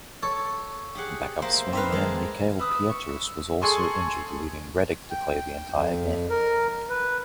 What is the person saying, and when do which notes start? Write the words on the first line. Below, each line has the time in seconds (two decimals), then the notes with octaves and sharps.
Backup swingman Mickael Pietrus was also injured, leaving Redick to play the entire game.
0.23 A4 C#5
0.95 G4 G#4 F#5
1.42 A#3 C5 E5
1.73 C4 D#4 B4 E5 F5
1.92 D#3 G#3 A5
2.59 B4 E5 D#6
2.90 C#6
3.62 G#4 A4 G#5 C6 C#6 D#6
5.11 G5
5.74 F2
6.30 A#4
6.89 B4